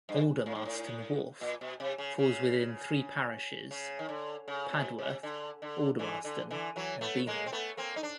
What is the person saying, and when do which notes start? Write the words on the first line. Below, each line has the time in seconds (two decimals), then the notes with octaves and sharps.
Aldermaston Wharf falls within three parishes-Padworth, Aldermaston and Beenham.
0.09 G2
0.46 A2
0.55 G#2
0.65 A2
1.41 A#2
1.61 B2
1.80 C3
1.98 C#3
2.19 C#3
3.71 C#3
3.99 D#3
4.09 D3
4.48 C#3
4.73 B2
4.98 C3
5.23 D3
5.62 D3
5.99 D3 E3
6.24 D3
6.51 D3 E3
6.76 E3 F#3
7.01 A3 B3
7.27 G#3 A#3
7.46 C4
7.52 A3 B3
7.77 A#3 C4
7.96 D#4
8.03 D4